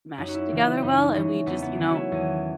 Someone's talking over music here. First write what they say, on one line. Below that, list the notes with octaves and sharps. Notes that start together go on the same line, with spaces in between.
mesh together well, and we just you know,
F#2 D#4
F#4
E4
C#3 E3 G#3
E4
F#2 D#4
C#3 E3 G#3 C#4
E2 B3
B3
D#3 F#3 A3 C#4
E4 F#4
E2 G#4